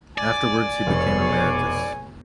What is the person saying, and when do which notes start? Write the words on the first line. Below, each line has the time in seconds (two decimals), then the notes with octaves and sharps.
Afterwards he became emeritus.
0.18 D5 G#5
0.87 F1 B2 G#4 C#5